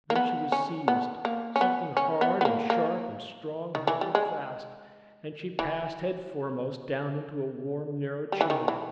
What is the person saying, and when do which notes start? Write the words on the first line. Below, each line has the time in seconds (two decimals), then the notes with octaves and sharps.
Then she was seized, something hard and sharp and strong held her fast, and she passed head foremost down into a warm, narrow channel.
0.10 A#3
0.15 B3
0.52 C#4
0.88 B3
1.25 A#3
1.56 C#4
1.61 B3
1.97 C#4
2.21 B3
2.41 B3
2.45 A#3
2.70 A#3
3.75 D#3
3.87 E3
4.01 G3
4.15 G#3
5.59 E3
8.32 G3
8.41 E3
8.50 D#3
8.68 E3